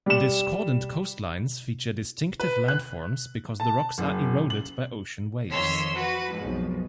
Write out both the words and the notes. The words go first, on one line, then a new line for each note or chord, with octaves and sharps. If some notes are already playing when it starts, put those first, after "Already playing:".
Discordant coastlines feature distinctive landforms because the rocks are eroded by ocean waves.
G3 E7
B4
F#6
A5
F#1
F#7
F2 D#3 C#5 C6 E6 B6
F#4 B4
B1 F2 G#2